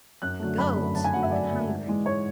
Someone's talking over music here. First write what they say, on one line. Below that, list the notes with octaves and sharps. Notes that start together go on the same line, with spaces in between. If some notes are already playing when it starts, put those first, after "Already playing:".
The goat went hungry.
F#2 F#6
D3 F#3 A3
F#2 B5
D3 F#3 A3
F#2 A5
G#5
D3 F#3 A3 F#5
E5
F#2 D5
D3 F#3 A3
G#2
E3 G#3
G#2 C#5